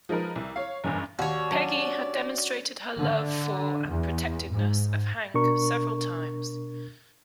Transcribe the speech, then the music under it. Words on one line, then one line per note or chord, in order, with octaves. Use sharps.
Peggy has demonstrated her love for and protectiveness of Hank several times.
F3 G#3 D#4 A#4 B4
C2
C#5 F5
F#1 E2 G2
D#2 F#4 C#5 D5
F#3 C#4 D4
D3
E2
G#2
B2 D4 A#4 C#6